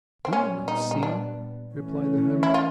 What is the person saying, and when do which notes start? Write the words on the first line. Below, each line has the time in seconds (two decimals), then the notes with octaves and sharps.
"Do you not see," replied the hermit.
0.25 C4
0.33 A#2 G3 B3 C#4
0.68 D#4
0.91 D#4
1.03 D4
1.73 E3 A3 C#4
2.43 E4
2.54 F4